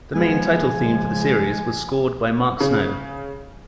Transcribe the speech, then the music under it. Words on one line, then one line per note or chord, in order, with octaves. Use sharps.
The main title theme for the series was scored by Mark Snow.
F3 G#3 B3 G#5
C#3 F3
C#3